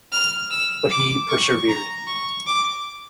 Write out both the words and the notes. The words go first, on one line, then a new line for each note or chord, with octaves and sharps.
But he persevered.
F6
E6
D6
C#6
A#5
C#6
D6